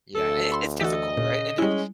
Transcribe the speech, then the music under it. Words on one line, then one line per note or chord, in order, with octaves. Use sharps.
Yeah, and it it's difficult, right? And it
D2 A4
B5 C6
E3 F#4 A4 D#5
A#2 C#3
G3 G#3 C#4 E4